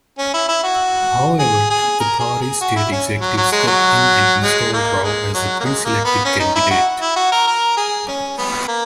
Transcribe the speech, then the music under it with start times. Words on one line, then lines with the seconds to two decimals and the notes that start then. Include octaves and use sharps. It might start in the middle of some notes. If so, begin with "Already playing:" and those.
However, the party's state executive stepped in and installed Rau as the pre-selected candidate.
0.18 C#4
0.34 E4
0.48 E4
0.63 F#4
1.39 G#4
1.70 G#4
2.00 A#4
2.20 G#4
2.41 G#4
2.61 F#4
2.76 E4
2.92 C#4
3.21 F#3
3.37 F#3
3.52 G#3
3.67 F#3
4.43 G#3
4.73 A#3
5.04 G#3
5.34 F#3
5.60 A#3
5.65 G#3
5.85 A#3
6.05 B3
6.25 C#4
6.40 D#4
6.56 E4
6.71 F#4
7.01 E4
7.16 F#4
7.32 A#4
7.47 A#4
7.77 G#4
8.08 C#4
8.38 B3
8.68 A#3